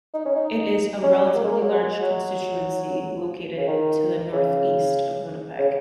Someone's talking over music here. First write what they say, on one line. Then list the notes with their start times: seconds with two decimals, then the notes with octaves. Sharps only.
It is a relatively large constituency, located to the northeast of Winnipeg.
0.14 D#4
0.25 C#4
0.36 D#4
1.03 C#4
1.35 A#3
1.44 G#3
1.52 A#3
1.61 F#3
1.69 G#3
2.02 F#3
3.57 C#3
3.67 D#3
4.33 C#3
5.59 C#3